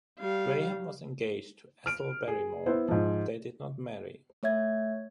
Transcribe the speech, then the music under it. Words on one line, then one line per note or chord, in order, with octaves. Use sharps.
Graham was engaged to Ethel Barrymore, but they did not marry.
G3 F5
F6 D7
G#4
B3 E4 C5
G#2 F3
A3 C#5 E5 G#6